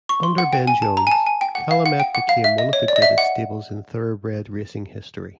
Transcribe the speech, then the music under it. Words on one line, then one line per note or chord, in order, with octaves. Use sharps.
Under Ben Jones, Calumet became one of the greatest stables in thoroughbred racing history.
C#6
C6
F#5
G5
G#5
A5
A#5
G#5
A5
G#5
G5
F#5
F5
F#5
G5
F#5
F5
E5
D#5
C#5
D5
D#5
E5
F#5